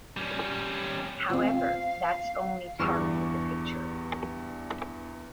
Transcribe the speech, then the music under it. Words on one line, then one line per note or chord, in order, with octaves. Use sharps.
However, that's only part of the picture.
G3 C#4
F3 C4 F5
E2 G2 D4 C#6 D6